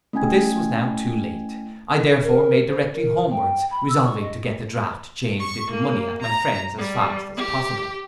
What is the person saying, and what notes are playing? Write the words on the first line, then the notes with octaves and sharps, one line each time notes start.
But this was now too late: I therefore made directly homewards, resolving to get the draught changed into money at my friend's as fast as possible.
A3 C#4 E4 G5 G#5 G#6
A#4
C5
A#4
G5
B5
E6
C#6
D#5
C#6
A#3
A#5
G3
G4